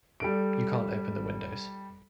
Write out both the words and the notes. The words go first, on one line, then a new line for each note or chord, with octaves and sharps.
You can't open the windows.
G3 A4 D7